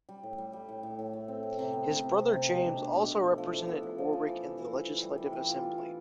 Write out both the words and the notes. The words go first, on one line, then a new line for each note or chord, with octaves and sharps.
His brother James also represented Warwick in the legislative assembly.
G3
A2
G3
G3
A2
A2
A2
A3
C4
A2
C3
B3
C3
C3
C3
C3
B2
D4
D4
B2
A3
B2
F3
E4
B3
F3
F3
F3
E3
E3
E3
E3
E3
G3
G3
E3
F4
F4
E3